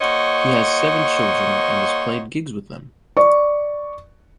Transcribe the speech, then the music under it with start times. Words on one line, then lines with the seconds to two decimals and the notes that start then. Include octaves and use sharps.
He has seven children, and has played gigs with them.
0.01 A#3 F#4 C5 C#5 D#5
3.17 D5 C#6